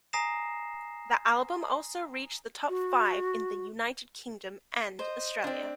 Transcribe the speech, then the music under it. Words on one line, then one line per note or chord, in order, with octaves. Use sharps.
The album also reached the top five in the United Kingdom and Australia.
G#5 A#5 D#6 A#6 C7 E7
F#4
C5 D#5
C4 D4